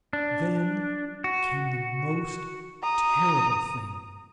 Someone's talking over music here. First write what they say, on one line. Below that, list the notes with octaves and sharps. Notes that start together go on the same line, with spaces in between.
Then came the most terrible thing.
D4
F#4
A#5 D#6